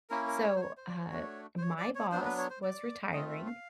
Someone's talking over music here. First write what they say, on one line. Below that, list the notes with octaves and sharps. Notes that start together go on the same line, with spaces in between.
so, uh, my boss was retiring,
A#3 C#4 E4 A#4
A#4
C#5
C5
C#5
C5
D5
C#5
A3 D4 F#4
C5
C#5
D5
C#5
F#3 B3 D4 C5
B4
C#5
C5
D5
A3 C4 F4 D#5
E5
F5